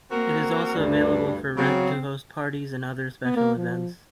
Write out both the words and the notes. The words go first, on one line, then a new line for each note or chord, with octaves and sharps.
It is also available for rent to host parties and other special events.
A#3 C4 F#4 A#4
D2 G2 D4
C#3 F#3 C4
B3
A#3
F3